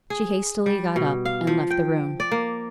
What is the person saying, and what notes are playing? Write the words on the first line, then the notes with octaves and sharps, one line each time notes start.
She hastily got up and left the room.
G#4
G3
B2
F5
F3
G5
D5
A#3